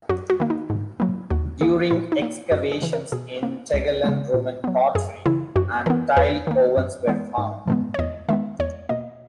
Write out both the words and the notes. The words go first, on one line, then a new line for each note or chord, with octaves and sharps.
During excavations in Tegelen Roman pottery and tile ovens were found.
F#2 F#4
F#4
D#3 A#3
D#4
G#2
F#3 A#3
D#2 F#4
D#3 A#3 G#4
A#2 E4
D#4
A#3
F#2 F#4
G#4
C#3 E3
A#4
B2 G#4
A#3
C#2
C#3 G#3 B3
A#2
F#3 B3
F#2 G#4
C#3 E3 E4
F#2 F#4
E3 B3 A#4
E2 B4
D#3 A#3
F#2
E3 G#3 B3
G#2
E3 G#3 B3
C#5
E2 D#5
D#3 G#3 B3 E5
E2 C#5
B2 A#3 D#5